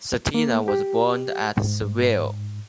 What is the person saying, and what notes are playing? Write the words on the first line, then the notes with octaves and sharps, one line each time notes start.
Cetina was born at Seville.
A#3
G4
G#2